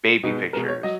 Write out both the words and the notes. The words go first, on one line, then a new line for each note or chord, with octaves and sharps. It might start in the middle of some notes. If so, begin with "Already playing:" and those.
baby pictures.
B2 G#3 D#4
B2 G#3 A#4
C#5
F#3 D#5